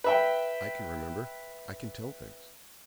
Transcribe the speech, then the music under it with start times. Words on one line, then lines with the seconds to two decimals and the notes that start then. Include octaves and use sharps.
I can remember; I can tell things!
0.04 B4 E5 G5